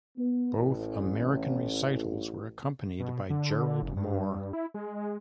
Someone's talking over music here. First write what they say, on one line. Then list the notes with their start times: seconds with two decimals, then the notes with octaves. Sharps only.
Both American recitals were accompanied by Gerald Moore.
0.17 B3
0.56 A1
3.00 B2
3.30 D3
3.82 F#1
3.97 G2
4.53 E4
4.74 G#3